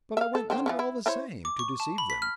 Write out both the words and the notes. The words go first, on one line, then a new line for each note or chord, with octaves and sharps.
But I went under all the same to deceive them.
E5 F5
A4
D3 C5 G5
E3 F3 C#4
E4
E4 C5 C#5
D6
C#6
A5
B5
B6
F6